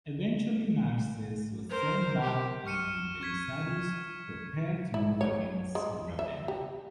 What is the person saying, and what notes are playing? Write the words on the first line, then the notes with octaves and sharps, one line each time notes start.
Eventually Narses was sent back and Belisarius prepared to move against Ravenna.
A#4 C5
G4
C#6 F6 C#7 D#7 E7
C#6 G#6 B6
E4
C#5
G#3
E5
G4